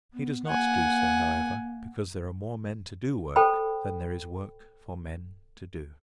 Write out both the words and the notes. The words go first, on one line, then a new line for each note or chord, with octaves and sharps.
He does not do so, however, because there are more men to do work than there is work for men to do.
B3
A#3 F#5 G#5
A4 C5 G5 B5